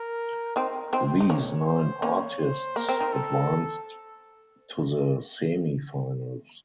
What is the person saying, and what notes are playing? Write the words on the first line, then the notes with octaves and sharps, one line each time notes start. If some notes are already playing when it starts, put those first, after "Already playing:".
These nine artists advanced to the Semifinals.
Already playing: A#4
C4 D#4 A#4
C4 D#4 C5
D#4
A#3 C#4 C#5
C5
A#3 C#4 C#5
C5
A#3 A#4
C4
C4 D#4
A4